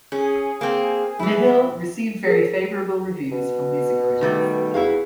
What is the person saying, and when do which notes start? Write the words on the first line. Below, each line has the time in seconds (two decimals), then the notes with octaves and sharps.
"Nihil" received very favorable reviews from music critics.
0.12 C#4 G#4
0.61 A#3 C4
1.19 E3 E4
1.46 A#2
2.27 G#4 A#4
3.32 B2
4.21 D#3 G3 A3
4.74 E2 E4 F#4 F5